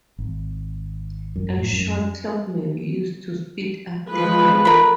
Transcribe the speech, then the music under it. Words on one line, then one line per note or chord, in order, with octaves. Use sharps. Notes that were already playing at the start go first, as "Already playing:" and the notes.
A shot clock may be used to speed up the game.
G#1
F#2
A2
F#2
F3 G#3 B4
A3 A#4 B5